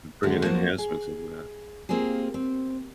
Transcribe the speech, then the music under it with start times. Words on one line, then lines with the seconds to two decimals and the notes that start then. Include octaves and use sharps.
bringing enhancements into that.
0.23 D#2 D3 G#3 G4 E5 F#5
0.44 F3 F#3 A#3 F#4 C5
0.78 G#4
1.89 A#3 C4 F4 G4 G#4
2.34 C4